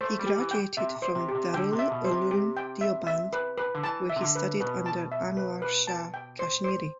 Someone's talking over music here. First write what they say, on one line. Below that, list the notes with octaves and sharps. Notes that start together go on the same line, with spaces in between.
He graduated from Darul Uloom Deoband where he studied under Anwar Shah Kashmiri.
A3 C5
G3
G4
E3
G5
C3 E5
C5
C3
G4
C3
D3 G5
C3
E5
B2
C5
C3
G4
G5
E5
E5
B4
B4
D3
E3 A5
E5
C3
D3
B4
B2 B4
A5
E5
B4
B4
A5
G5
C5
C5